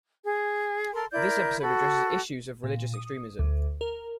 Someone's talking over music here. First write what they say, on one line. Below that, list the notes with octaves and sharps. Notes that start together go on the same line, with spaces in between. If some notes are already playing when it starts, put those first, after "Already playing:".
This episode addresses issues of religious extremism.
G#4
A4 A#4 C6
E4 A#4 D5 G6
F#4 A4 B5
A#2
D#6
D2
A#4